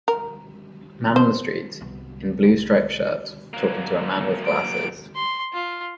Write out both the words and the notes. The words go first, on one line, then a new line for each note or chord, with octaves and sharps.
Man on the street, in blue striped shirt, talking to a man with glasses.
A#4
C5
C2 B3
F#3 A#3
D7
C6
F4